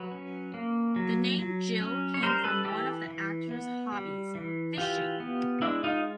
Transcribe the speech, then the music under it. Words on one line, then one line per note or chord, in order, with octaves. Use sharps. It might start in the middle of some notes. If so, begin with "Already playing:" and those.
The name Gil came from one of the actor's hobbies, fishing.
Already playing: F#3 B4 C#5
C#4
A#3
F#3
F#3
C#4
C#5
G3 A#4 C5
A4 B4
E3 G4 A4
E3
B3
G3
E3
E3 F4 G4
B3
G#3 D4 E4
D#4 F4